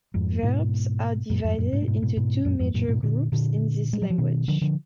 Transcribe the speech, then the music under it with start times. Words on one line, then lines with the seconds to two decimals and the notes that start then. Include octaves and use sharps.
Verbs are divided into two major groups in this language.
0.14 F2 G#2
0.43 G#2 B2
1.30 F#2 A#2
1.44 F2 G#2
1.58 F#2 A#2
1.73 G#2 B2
1.82 A#2
1.87 G#2 B2
2.02 G#2 B2
2.17 G#2 B2
2.45 F#2 A#2
2.60 F2 G#2
2.74 F#2 A#2
2.88 G#2 B2
3.03 A#2 D3
3.32 A#2 D3
3.93 G#3
4.02 F#3
4.10 F3
4.18 B2 D#3
4.48 D3 F3
4.61 D3 F3